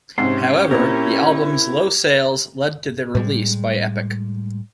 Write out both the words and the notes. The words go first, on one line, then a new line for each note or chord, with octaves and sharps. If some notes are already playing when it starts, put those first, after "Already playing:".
However, the album's low sales led to their release by Epic.
G#2 C3 C#4 G4 C6
A#2 C4 E4 A#4
A2 G3 G#3